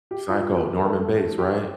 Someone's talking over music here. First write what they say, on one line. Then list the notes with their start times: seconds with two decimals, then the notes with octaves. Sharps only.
Psycho, Norman Bates right?
0.11 G4
0.29 F4
0.56 G4
0.78 A#4
0.84 A4
1.38 G4